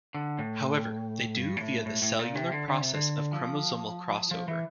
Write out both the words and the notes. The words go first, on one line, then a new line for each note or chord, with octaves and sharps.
However, they do, via the cellular process of chromosomal crossover.
D3
A2
G2
A#2
A2
A2
A2
A#2
C3
D3
D3
C3
D3
F3
F3
E3